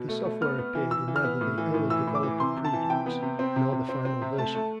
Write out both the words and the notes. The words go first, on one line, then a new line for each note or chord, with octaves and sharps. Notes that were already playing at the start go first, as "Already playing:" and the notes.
The software appeared in neither the early Developer Previews nor the final version.
Already playing: B2
A3
A3
B3 F6
B3
E3
E3 E6
E3
F6
B3
A2
E3
A2
E3 E6
A2
D6
E3
C3 C6
C3
A5
E3
C3 G5
B3
C3
C4
C3
C3
C4
C4
C3
A3 A5
A3